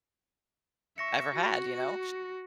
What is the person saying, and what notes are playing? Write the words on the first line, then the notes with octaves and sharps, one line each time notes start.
ever had, you know?
E5 C#6 A#6 C#7
F#4